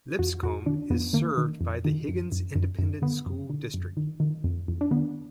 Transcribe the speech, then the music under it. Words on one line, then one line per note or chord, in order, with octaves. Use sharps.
Lipscomb is served by the Higgins Independent School District.
F2 F#4
F2 F#4
D#3 D4
F2 B3
D#3 A#3
D#3
F2
D#3
F#2
F#2
F#2
F#2
D3 B3
F#2
D3
F#2
D#3
D#3
F2
F2
D4
D#3 B3